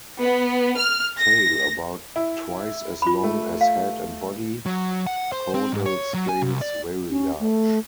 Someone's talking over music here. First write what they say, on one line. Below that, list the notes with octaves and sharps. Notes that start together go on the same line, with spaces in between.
Tail about twice as long as head and body; caudal scales very large.
B3
F6
A#6
E4
F4 B5
A3
F5
F#3
F#5
C5
C4
G#2
C#5
F#3
G#5
C2
D5
C#4
A3